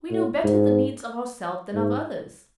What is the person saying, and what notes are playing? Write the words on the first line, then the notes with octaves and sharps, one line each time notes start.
We know better the needs of ourselves than of others.
A2
G#2
G#2